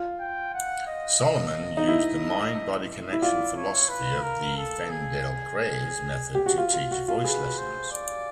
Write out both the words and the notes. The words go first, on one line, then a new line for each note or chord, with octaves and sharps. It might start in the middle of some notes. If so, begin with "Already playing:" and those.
Solomon used the mind-body connection philosophy of the Feldenkrais method to teach voice lessons.
Already playing: F4
G5
F#5
D#5
D#5
D#4
E4
E4
F4 D5
C#5
B4
A#4
A4
G#4
G4
F#4
F4
F4
F#4
F4
G#4 B4
C5
D5